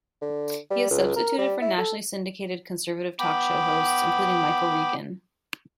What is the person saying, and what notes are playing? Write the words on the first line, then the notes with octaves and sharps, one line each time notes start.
He has substituted for nationally syndicated conservative talk show hosts, including Michael Reagan.
D3
G3
C#2
A#4
G3
E4
A4
B3 G5 B5 D6